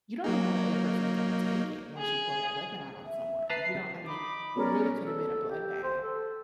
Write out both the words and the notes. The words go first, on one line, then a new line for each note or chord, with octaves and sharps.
you don't know how the other person's gonna take it once you pull that weapon out on someone, you don't I mean, it really coulda been a bloodbath,
F#3 A#3 D#4
G#4
E5
B4 A5 A#5 C7
D#4 B5 D6
B2 C#4 A#4 D5
A4
G4
C5
A4